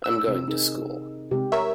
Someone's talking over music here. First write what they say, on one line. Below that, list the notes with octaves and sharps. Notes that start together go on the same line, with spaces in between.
I'm going to school.
E6
C3 C4
D#4 G#4 A#4
C3 G#3 G4
A#4 C#5 E5